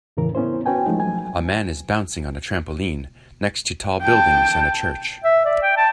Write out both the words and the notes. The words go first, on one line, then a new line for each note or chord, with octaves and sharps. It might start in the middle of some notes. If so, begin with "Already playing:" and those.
A man is bouncing on a trampoline next to tall buildings and a church.
E2 A2 C#3 E3 A#4
B3 C#4 E4 C5
C#4 F#4 B4 G5 G#5
F3 G#3 A3 D#4
F#3 G#5
G5 A5
E5
D5
G5
A5